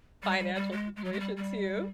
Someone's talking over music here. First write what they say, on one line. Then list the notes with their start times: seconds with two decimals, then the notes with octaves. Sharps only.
financial situation, too.
0.23 G3
0.39 G3
0.55 G3
0.72 G#3
0.96 G#3
1.04 F#3
1.13 G#3
1.20 G3
1.37 G3